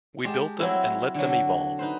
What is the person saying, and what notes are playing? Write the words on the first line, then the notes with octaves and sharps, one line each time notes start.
We built them and let them evolve.
G#3 G4 A5
F#3 C4 E4
D3 F#3
D#4 B4 C5